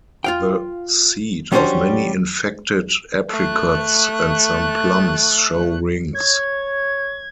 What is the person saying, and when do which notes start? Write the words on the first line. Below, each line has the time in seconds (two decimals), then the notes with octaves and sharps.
The seed of many infected apricots and some plums show rings.
0.24 F4 F5 G5
1.52 F#3 G3 C#4 D4 C5 C#5
3.30 A3 F#6
6.15 C#5 G#6